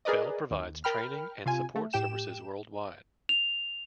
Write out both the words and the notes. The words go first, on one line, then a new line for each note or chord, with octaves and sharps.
Bell provides training and support services worldwide.
G#4 A#4 B4 D5 D#5
D#2
A#4 G5 B5 F6
C3 F4 G#5
A3
A2 G4 G5 E7
F7